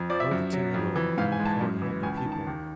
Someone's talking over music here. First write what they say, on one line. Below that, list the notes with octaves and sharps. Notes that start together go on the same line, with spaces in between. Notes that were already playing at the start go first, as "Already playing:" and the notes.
O Getanittowit, give me power to help my people.
Already playing: F2
F3 D5
E5
F#2
F#3
F2
E3
G#2 F5
G#5
G#3
A5
F#2
E3
C#2 G#5
A5
D#3
A5
D#2